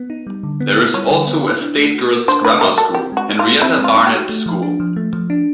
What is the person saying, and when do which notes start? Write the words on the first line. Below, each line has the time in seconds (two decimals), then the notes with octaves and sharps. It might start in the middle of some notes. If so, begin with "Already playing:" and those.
There is also a state girls' grammar school, Henrietta Barnett School.
Already playing: B3
0.10 D#4
0.27 G3
0.43 D3
0.60 B3
0.77 E4
0.94 G3 C#5
1.11 D3
1.27 B3
1.44 E4
1.61 D4
1.77 A3
1.95 F#4
2.11 A#4
2.28 D4 C5
2.45 A3 B4
2.61 F#4 A#4
2.78 A4 A#4
2.95 C4 G4
3.12 G#3 F#4
3.29 D#4
3.39 F4
3.45 F#4
3.62 C4 E4
3.79 G#3
3.84 F4
3.95 D#4
4.06 G4
4.13 F#4
4.29 A3
4.46 F3
4.63 D4
4.80 F3
4.96 A3
5.13 F3
5.30 D4